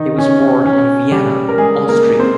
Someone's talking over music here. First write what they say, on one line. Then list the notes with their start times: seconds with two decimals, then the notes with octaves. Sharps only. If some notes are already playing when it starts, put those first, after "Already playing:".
He was born in Vienna, Austria.
Already playing: D#3 D#4
0.18 C#4
0.66 C#4
1.11 G3 G4
1.49 A#4
1.58 G#3 G#4
1.88 A#3 A#4
2.19 C4 C5